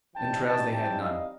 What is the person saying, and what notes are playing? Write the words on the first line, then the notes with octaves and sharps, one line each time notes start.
Entrails they had none.
E3 G3 C4 D#4 G5 A5
G5 A5
G5 A5
D#5 F5